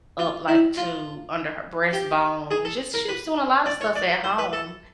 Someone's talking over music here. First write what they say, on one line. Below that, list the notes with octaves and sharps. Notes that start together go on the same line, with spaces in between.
up, like, to, under her breastbone, just she was doing a lotta stuff at home,
F4
E4
F4
G4
G#4
A4
A#4
B4
D5
C#5
D5
C5
B4
A4